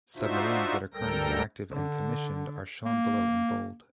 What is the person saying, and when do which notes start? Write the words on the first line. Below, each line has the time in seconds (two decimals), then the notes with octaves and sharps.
Submarines that are currently active and commissioned are shown below in bold.
0.16 D4 D#4 F4 F#4 C5 E5
0.94 D2 G3 A4 A#4 G5 A#6
1.72 D3
2.86 A#3